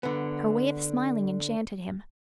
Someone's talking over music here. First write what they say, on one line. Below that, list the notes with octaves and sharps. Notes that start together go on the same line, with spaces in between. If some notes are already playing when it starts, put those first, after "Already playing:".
Her way of smiling enchanted him.
D3 B3